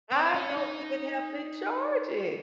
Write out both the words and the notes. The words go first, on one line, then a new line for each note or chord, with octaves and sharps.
I don't even have to charge it!
C4
C#4
D#4